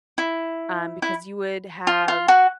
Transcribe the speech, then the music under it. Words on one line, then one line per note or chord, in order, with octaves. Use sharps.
um, because you would have
E4
E4
F4
F4
F#4